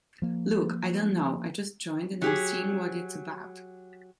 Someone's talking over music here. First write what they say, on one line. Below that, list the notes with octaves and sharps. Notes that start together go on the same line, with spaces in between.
Look, I don't know, I just joined and I'm seeing what it's about.
F3 A#3
F#3 G4 G#4